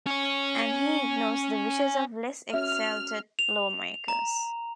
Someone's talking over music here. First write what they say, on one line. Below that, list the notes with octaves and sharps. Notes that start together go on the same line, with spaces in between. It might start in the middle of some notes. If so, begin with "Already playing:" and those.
And he ignores the wishes of less-exalted lawmakers.
C#4 C#5
C#4 F#4 E5 F6
F7
A#5